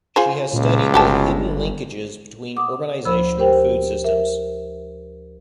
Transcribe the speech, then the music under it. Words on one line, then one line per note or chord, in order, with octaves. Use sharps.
She has studied the "hidden linkages" between urbanisation and food systems.
F4 G#4 C5
C#2 A#2
G1 F#4 G4 A5
F#5 D6 D#6
D2 F3 C5 B5 E6
G4 A#4 C5 G5
A#4 E5